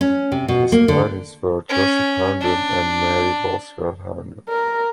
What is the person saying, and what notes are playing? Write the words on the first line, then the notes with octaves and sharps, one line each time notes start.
His parents were Joseph Herndon and Mary Boswell Herndon.
C#4
C3
B2
A#3
D3
C#4
D4
A#4